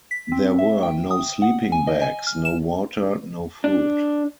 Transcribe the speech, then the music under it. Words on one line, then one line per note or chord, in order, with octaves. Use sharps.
There were no sleeping bags, no water, no food.
B6
C4
E5
G5
D#6
F#5
G#5
D#5
G#5
F6
E7
D4